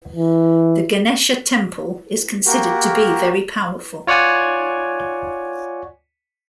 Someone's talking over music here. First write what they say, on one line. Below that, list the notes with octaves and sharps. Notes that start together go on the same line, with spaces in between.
The Ganesha temple is considered to be very powerful.
E3
A#3 F#4 G4 A#4
F4 C#5 D5 F#5 G#5